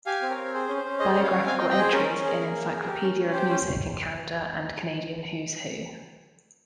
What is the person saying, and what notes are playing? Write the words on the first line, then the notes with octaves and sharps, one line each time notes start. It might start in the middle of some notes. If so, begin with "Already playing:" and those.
Biographical entries in Encyclopaedia of Music in Canada and Canadian Who's Who.
G4 F5 G#5
C4
A#4 C#5
C4
G#4 C5
C#4
C5
C#4
G#4 C5 D#5
C#4
C#5 F5
C#4
C4 F5 G#5
D#5 G5
C4
D#5 G5
G#4 C5
C#4 A#4
C#4 A#4
G#4 A#4
A#3
A#3
G#4
G4
C#4
C#4
G4 C5
C#4 C5